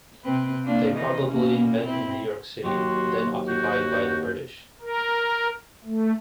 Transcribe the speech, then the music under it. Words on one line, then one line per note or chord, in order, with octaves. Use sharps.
They probably met in New York City, then occupied by the British.
C3 C4 B4
A#3 D4 F4
D#3 E3 D#4
B2 A#3 C#4
C4 E4
D#2 F#3 F#4 G4 C6
F#4 G6
A#4
A3